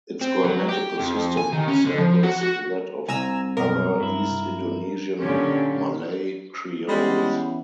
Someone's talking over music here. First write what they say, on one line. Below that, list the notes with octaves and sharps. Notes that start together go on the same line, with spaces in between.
Its grammatical system resembles that of other East Indonesian Malay Creoles.
C4
F#3
G4
F2
G#5
D#3
C#4
D3
F3
F#4
F#4
C2 G#5 A#5 E6
F#2 B2 A#4
G2 E4
A#2 D3 F#3 C#4 G4
E3 G3 G#3 B3 C#4